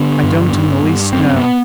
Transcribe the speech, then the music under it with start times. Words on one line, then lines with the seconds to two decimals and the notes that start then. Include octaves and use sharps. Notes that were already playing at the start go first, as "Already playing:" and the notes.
"I don't in the least know."
Already playing: D3 B3
0.24 G2
0.53 G2
0.84 G2
1.13 F#2 C4
1.36 B3